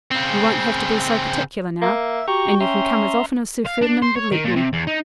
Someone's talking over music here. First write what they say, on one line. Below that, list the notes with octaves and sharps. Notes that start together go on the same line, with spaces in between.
'You won't have to be so particular now, and you can come as often as Sir Ferdinand will let you.
C#3 C4
A#3 E5
F#4 G4 G5 A#5 C#6
C#4 E5 A#5 C6
F5
D4
C5
C#5
D#3
A#2
C3
E2
D#4